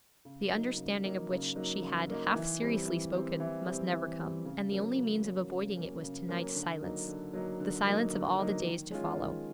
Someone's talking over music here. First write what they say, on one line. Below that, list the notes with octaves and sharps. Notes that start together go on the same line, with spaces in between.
The understanding of which she had half-seriously spoken must never come, and the only means of avoiding it was to-night's silence, the silence of all the days to follow.
C#3
F#3 A#3 D#4
C#3
F#3 A#3 D#4
C#3
F#3 A#3 D#4
C#3
F#3 A#3 D#4
E3
G3 C4
E3
G3 C4
E3
G3 C4
E3
G3 C4
C#3
F#3 A#3 C#4
C#3
F#3 A#3 C#4
C#3
F#3 A#3 C#4
C#3
F#3 A#3 C#4
D3
F#3 A#3 D#4
D3
F#3 A#3 D#4
D3
F#3 A#3 D#4
D3
F#3 A#3 D#4
D#3
G#3 C#4 F4
D#3